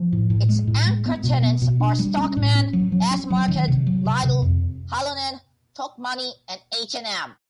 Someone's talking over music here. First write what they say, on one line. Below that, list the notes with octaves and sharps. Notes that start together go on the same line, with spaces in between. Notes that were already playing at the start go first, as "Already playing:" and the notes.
Its anchor tenants are Stockmann, S-market, Lidl, Halonen, Tokmanni and H and M.
Already playing: F3
A2
A2
G#3
A2
G#3
B3
B2
B3
B2
D4
G3
C#4
A2
C#4
F#3
F#3
C#4
F#3
D#3
C3
F#3
C3
C3
F2